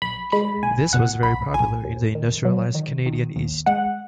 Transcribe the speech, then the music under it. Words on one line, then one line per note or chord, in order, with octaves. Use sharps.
This was very popular in the industrialized Canadian east.
B1 B5
G#3 B5
B1 G#5
B2 F#5
B1 B5
B1 G#5
D#2
D#3
F#3
D#3
D#3
D#2
G#3 F#5